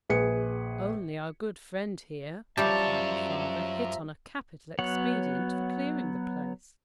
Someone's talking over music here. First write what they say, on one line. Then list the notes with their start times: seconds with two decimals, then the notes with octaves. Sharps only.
'Only our good friend here,' replied her father, 'hit on a capital expedient for clearing the place.'
0.09 A#1 G#4 B4 C#7
2.57 F#2 F3 G3 G4 C#5 E5 A5 A#5
4.79 F#3 B3 C#5 F#5